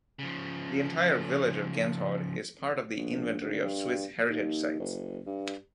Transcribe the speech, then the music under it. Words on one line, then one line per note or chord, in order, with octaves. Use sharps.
The entire village of Genthod is part of the Inventory of Swiss Heritage Sites.
C#3 F3
A#1
D2
G2
D#2
F#1
G2